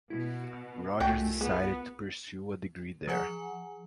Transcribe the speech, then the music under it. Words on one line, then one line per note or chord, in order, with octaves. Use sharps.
Rogers decided to pursue a degree there.
B2 E4 F#4
F#4
C2 A3 F4 F#4 D#5 G5 G#5
B3 G#4
F3 G#4 F#5 G#5